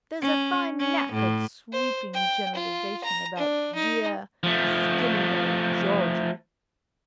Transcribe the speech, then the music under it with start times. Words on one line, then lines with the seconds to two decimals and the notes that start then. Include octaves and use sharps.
There's a fine knack of sweeping generalisation about deah skinny old Georgey.
0.22 C#4
0.80 C#4
1.13 A2
1.73 C5
2.14 G5
2.55 F4
3.04 A#5
3.37 D4
3.75 D#4
4.43 F3 A3